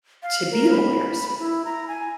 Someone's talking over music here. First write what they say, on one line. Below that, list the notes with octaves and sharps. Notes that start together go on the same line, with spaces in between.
to be lawyers,
F5
A#4
B5
E4
A#5
G#5